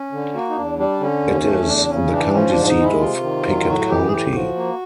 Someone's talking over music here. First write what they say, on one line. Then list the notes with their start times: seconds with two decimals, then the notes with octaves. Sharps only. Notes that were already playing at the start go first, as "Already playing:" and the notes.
It is the county seat of Pickett County.
Already playing: C#4
0.12 D3
0.34 A#3 F#4
0.50 D#4
0.56 E2 D4
0.78 G3 D4
1.00 D3 C#4
1.23 D#2
1.45 A3
1.67 E2 D4
1.90 C#3 C#4
2.12 E3 D4
2.34 F3 C#4
2.51 G#2 D4
2.67 D#4
2.79 G#3
2.84 E4
3.01 C3 F4
3.23 D#3
3.45 F#3
3.67 A2 F#4
3.89 E3 G4
4.08 G#4
4.12 A2 G4
4.34 F3 F#4
4.56 A#3